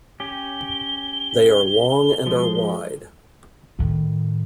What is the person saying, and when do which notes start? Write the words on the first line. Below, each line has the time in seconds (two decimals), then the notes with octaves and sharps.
They are long and are wide.
0.20 C#4 G4 G7
2.26 F3 G#3
3.79 A2 D#3